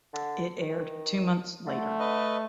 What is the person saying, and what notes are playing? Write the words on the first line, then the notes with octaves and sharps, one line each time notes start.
It aired two months later.
D3
D#3
D3 A3
B4 D#5